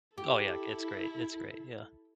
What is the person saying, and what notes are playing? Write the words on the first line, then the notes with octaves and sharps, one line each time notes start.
Oh, yeah, it's great, it's great, yeah.
E4 G4 A4